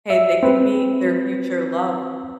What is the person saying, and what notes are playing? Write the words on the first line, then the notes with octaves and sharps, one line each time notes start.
Hey, they could meet their future love
E5
C4 B4